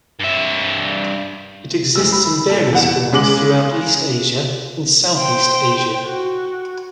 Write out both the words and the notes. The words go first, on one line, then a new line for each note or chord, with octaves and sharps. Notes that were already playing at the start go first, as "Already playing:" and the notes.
It exists in various forms throughout East Asia and Southeast Asia.
G2 E5
F1 G#3 E6
B5
A#2 A4
E2 F#5 E7
C#3 G#3 D6 F#7
C5 G5
F#4